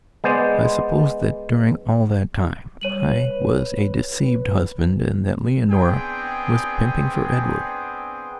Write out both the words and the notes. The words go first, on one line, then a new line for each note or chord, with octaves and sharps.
I suppose that, during all that time I was a deceived husband and that Leonora was pimping for Edward.
G#3 B3 C5 D5
G3 C#5 D#7 F#7
B4
B3 C4 D4 G#4 G5